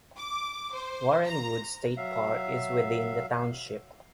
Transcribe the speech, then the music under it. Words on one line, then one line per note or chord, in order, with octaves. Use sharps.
Warren Woods State Park is within the township.
D6
C5
A#5
F#3 E5 F5